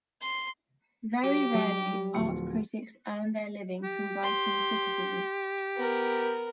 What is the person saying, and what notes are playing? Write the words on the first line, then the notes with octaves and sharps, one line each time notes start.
Very rarely art critics earn their living from writing criticism.
C6
F#3 G4
F#3 G3
D1 F3 C#7
G4
C6
B3 A#4